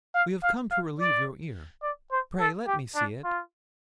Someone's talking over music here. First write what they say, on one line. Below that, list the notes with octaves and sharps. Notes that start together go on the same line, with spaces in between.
We have come to relieve your ear. Pray let me see it.
F5
F5
F5
D5
D5
C5
A4
G4
D4
F4